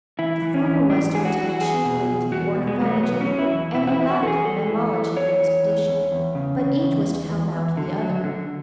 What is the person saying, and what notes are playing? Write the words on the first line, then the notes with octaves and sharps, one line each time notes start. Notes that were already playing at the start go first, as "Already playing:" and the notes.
The former was to attend chiefly to the ornithology and the latter to the mammalogy of the expedition; but each was to help out the other.
E3 E4
E3
C#4
E3
G#2 D4
E3 G#4
F#4
E3
F#4
E2 G#4
B2
E2
E2 F#4
B2
G#3
F#3 B3
A3
B2 B3
C#4
F#3
E4
E2
B2 E4
F#4
E4
E2
F#4
E2 A4
G#4
E2 A4
E3
E3
E2 C#5
E3
E2
E2
E2
C#3
C#3
E2
E2
E2
E2
D3
F#3
D3